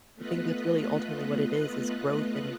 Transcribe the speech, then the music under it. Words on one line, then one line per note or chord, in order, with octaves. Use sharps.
I think that's really ultimately what it is, is growth, and
A3 B3 F4 B4 D#5 F#6